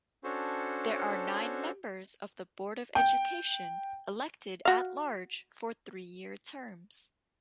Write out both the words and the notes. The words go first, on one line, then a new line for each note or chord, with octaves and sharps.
There are nine members of the Board of Education elected at-large for three-year terms.
C#4 D4 F#4 A4 C5 C#5
G5
F#4 F5